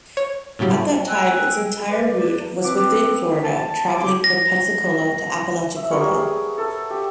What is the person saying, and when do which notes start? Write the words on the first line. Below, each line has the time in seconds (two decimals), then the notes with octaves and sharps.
At that time, its entire route was within Florida, traveling from Pensacola to Apalachicola.
0.17 C#5
0.59 A2 C#3 F#3 G3
1.08 G5 G#5 E6 F#6
1.88 B4 D5
2.63 C4 B4 D6
3.43 A5
3.95 C#3 C4 E4 F4 C5 D6
4.24 A#6
5.76 E5
5.91 G3 B3 A#4 C#5
6.13 G#4
6.58 A4
6.90 G4